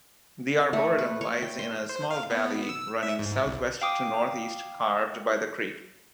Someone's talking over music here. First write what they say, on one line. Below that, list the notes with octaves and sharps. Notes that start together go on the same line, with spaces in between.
The arboretum lies in a small valley running southwest-to-northeast carved by the creek.
A3
B4
C#5
G5
C6
C5
F5
B3
E6
E5
G#2
C2
F5 G5 D6 D#6